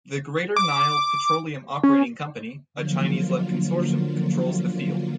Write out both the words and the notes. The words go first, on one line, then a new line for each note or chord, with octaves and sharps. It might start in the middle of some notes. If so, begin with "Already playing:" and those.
The Greater Nile Petroleum Operating Company, a Chinese-led consortium, controls the field.
D6
C#4
D3 F3 F#3 A#3 F4